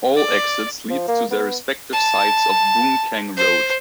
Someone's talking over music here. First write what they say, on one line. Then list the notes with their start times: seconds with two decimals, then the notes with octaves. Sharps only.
All exits leads to their respective sides of Boon Keng Road.
0.16 D5
0.90 F3
1.08 A#3
1.31 B3
1.92 A5
3.37 C5